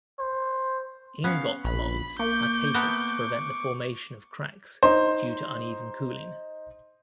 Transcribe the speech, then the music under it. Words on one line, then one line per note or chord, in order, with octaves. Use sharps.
Ingot molds are tapered to prevent the formation of cracks due to uneven cooling.
C5
B3 C#4 F5
A#1 B5
A#3 C#6 D6 G6
A3 B3 A#4
D#4 C5